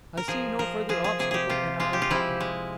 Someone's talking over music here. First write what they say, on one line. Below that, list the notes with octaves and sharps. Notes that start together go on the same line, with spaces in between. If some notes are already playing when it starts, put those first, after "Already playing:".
I see no further obstacle in our path.
A#4
F3 G#4
F3 A#4
F3 G#4
G#4
C3 G#4
G4 G#4
C3 F4
G#3 F4
G4
F4
F3 E4
G#3